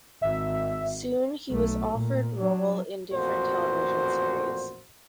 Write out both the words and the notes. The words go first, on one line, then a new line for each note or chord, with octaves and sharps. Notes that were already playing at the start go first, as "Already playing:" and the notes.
Soon he was offered role in different television series.
G#1 E5
B1 A3
A#2
F#3 D4
A1 F2 A#2 F#4 C5